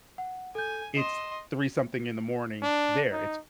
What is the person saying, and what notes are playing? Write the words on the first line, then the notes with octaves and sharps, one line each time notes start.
It's three-something in the morning there, it's
F#5
A4 G#5 G6
D#5 C6 E7
D4
D#4